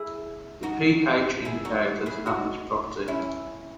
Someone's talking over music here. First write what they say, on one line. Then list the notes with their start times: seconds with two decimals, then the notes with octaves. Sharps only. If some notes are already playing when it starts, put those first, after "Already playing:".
The pH indicators have this property.
Already playing: E4 G#4
0.63 D#4 F#4
1.45 E4 G#4
1.65 D#4 F#4
2.06 E4 G#4
2.26 D#4 F#4
3.08 C#4 E4